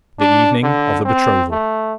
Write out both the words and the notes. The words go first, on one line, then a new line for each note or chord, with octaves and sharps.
The Evening of the Betrothal.
D4
D3
C4
A3